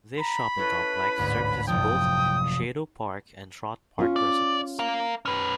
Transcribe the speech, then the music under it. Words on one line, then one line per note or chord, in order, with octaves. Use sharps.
This shopping complex services both Sheidow Park and Trott Park residents.
A#5 B5
C#4 E4 A4 B4
A1 D2 G#2
F#1 C3 F3 G5 D#6
C#4 F4
D5
A#4 F5
C#4 B4